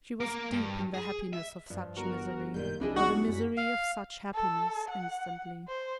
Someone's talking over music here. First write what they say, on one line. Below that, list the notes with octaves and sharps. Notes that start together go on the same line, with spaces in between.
She was deep in the happiness of such misery, or the misery of such happiness, instantly.
A#3 A#4
G2
G#4
E5
G2 F3
G1 F#4 A#4
A#2 D#3 G3 G6
C2 F2 G3 D4 E4 G#4 D#5
B1 F#4
F#2 B6
F5
A4
F#5
C5